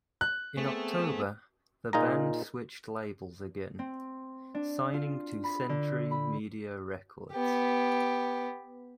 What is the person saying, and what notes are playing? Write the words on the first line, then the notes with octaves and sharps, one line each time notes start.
In October, the band switched labels again, signing to Century Media Records.
F#6
A3 B3 C4 G#4
A#2 D#4 F4 G#4 A#5
C4
D4
F4
B5
D3
B5
B3 G4